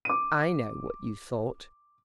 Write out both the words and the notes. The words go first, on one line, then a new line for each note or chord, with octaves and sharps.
"I know what you thought."
D6 D#7